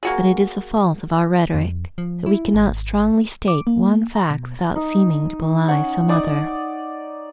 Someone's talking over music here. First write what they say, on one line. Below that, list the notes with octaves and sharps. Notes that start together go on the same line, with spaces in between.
But it is the fault of our rhetoric that we cannot strongly state one fact without seeming to belie some other.
A#3 F#4 G#4
F2
F3
E4
G#1
D6
A#3
A#5
B2
D#4
C#4 F#5
D#4 D5 D#6